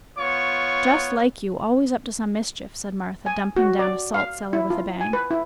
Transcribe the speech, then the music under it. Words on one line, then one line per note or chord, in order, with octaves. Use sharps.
'Just like you - always up to some mischief,' said Martha, dumping down a salt-cellar with a bang.
B3 F4 C#5 C#6
G#5
F#4
D5
F5
E4
F4
G#5
B4
E4